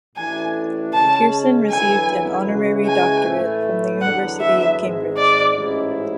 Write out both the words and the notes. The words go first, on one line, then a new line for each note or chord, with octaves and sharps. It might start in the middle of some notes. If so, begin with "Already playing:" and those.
Pierson received an honorary doctorate from the University of Cambridge.
A1 A2 E3 A3 D4 G#5
C#3 G#3 C#4 A5
E2 D3 F#3 B3 E4 G#5
C#3 E3 G#3 C#4 F#4
G#5
A2 E3 A3
E2 D3 F#3 B3 F#5
E5
G#1 G#2 G#3
D5
A1 G#2 G#3 C#4 E4